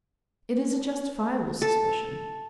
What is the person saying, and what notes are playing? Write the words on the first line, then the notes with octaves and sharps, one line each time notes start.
It is a justifiable suspicion.
A4